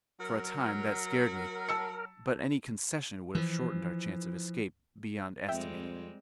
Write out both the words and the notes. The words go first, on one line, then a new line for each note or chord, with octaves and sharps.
For a time that scared me; but any concession would have shortened our chance of escape beyond estimating.
F#3 A#4
A5 E6 C#7
E3 F3
F2 G3 G#3 C4 E5 G5